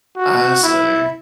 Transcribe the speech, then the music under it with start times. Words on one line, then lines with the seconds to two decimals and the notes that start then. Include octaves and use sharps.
I see.
0.16 F#4
0.63 E4